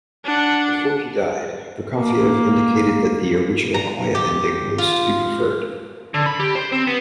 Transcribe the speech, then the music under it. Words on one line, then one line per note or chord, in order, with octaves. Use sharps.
Before he died, Prokofiev indicated that the original quiet ending was to be preferred.
D4 F#5
A#3
A#5
G4
F4
D3
B5
G4
C5
C4
B3